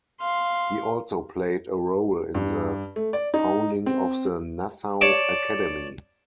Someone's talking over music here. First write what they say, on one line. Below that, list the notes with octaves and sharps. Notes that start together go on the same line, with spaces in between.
He also played a role in the founding of the Nassau Academy.
F5 C6
G2
A3
D5
D#4
C4
C#5 D5 A5 D6